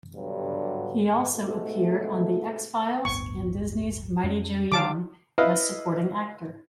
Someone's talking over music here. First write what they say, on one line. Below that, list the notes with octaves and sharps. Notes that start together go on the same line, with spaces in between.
He also appeared on "The X-Files" and Disneys "Mighty Joe Young" as supporting actor.
G2 B2 D3 F#3 G3
G#2 B2 A3
D1 G1 B3 C#6
F2 G#3 C#4
D3 F#3 G#3 F5 A5 D6
E4 B4 D#5 F5